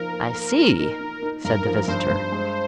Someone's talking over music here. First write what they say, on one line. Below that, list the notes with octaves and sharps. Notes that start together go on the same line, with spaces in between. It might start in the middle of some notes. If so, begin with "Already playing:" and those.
"I see," said the visitor.
Already playing: F3 A#3 D#4 A#4
A#3
A#3
A#3
D#4
D#4
D#4
G2 A#4
F3
G2 C5
G2
G#3